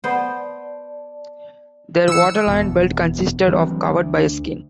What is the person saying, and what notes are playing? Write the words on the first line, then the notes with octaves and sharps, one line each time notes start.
Their waterline belt consisted of covered by a skin.
B3 C5 D5 A5
E3 F3 E6 C#7
F#1 E2 B2
E3 F#3 G3 C4
D2